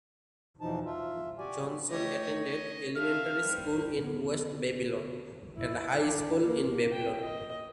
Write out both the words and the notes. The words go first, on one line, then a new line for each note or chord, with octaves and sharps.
Johnson attended elementary school in West Babylon and high school in Babylon.
E2 B2 E3 F3 D#4 A5
F4 E5
F#4 G4 D5 G#5
A3 G4 C#5 D#5
D#5
E5 F5 A5 F6
G3 C4
D3 B3
E4
D4
A#3
G5
D#5